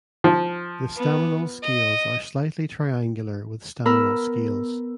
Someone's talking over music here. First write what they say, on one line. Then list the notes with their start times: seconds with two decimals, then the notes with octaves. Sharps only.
The staminal scales are slightly triangular with staminal scales.
0.24 F3
0.96 B3
1.63 D#5
3.85 B3 A#4 B5 E6